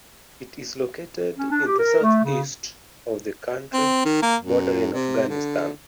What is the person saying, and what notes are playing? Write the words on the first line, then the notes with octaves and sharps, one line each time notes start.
It is located in the south-east of the country, bordering Afghanistan.
C#4
D4
G4
A#4
A3
C#3
C4
D#3
A#3
F#2
C3
D3